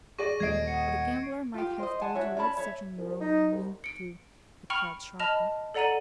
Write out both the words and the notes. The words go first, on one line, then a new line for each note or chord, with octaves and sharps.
But a gambler might have told you what such a mirror may mean to a card-sharper.
G#4 D5 C#6 A#6 D#7
D#1 D#5 G#6 C7 D7
F#5 C#7
F4 G4
C5 D#5
F#5 G#5 A5
D4 F#4 C#5 E5
C#4 D5 A5 B5
C#5 E5
C2
D#4
C2
C#7 D7
G5 B5 C#6 F6 C#7 F7
D#5 A5 B5 F6 F7
A4 D5 F#5 A#5 D#7 F#7